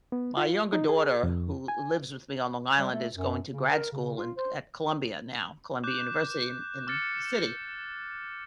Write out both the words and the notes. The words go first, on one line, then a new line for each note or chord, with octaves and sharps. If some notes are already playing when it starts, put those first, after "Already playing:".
My younger daughter who lives with me on Long Island is going to grad school in at Columbia now Columbia University in in the city,
B3
F4
D#4
G#4
F2
G#5
G3
A3
F#2
C#3
A#4
C#3
F4
C5
D6 F#6 G6 E7
D6 F6 A6 C#7